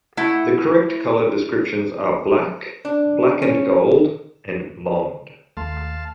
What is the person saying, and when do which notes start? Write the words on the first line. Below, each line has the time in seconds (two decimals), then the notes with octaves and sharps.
The correct color descriptions are black, black and gold, and blond.
0.17 A3 E4 F#5
2.85 D4
3.42 C#4
5.57 D#2 A3 F5 A5 C6